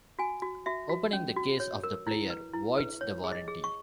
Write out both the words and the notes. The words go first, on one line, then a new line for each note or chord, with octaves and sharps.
Opening the case of the player voids the warranty.
F#4 G#5
F#4
F#4 E5
F#4
C#4
F#4
C#5
A#4
E4
B4
E4
B4
C#5
G#4
D#5
G#4
C#6